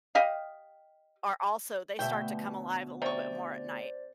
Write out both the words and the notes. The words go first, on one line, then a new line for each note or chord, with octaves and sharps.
are also they start to come alive a little bit more at night.
G4 D#5 F5
D2 B2 E5 G5
C3 C5 D5 C#6